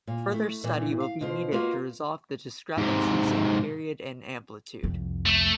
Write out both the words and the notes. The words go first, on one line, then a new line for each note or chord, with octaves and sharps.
Further study will be needed to resolve the discrepancies in period and amplitude.
A#2
A3 E4
A#2 E3 G3 A#3 B3
F5
B2 F4 C5
A#3 D#4 F4 F#4 A#4 B4
G#2 C3
C2 F2
A3